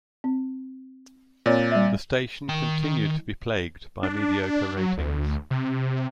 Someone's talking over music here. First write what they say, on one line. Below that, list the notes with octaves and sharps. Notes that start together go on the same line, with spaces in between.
The station continued to be plagued by mediocre ratings.
C4
A#2 C4 C#5 D5
G3 E5
D#3 G5
D4
F#3
D2
C3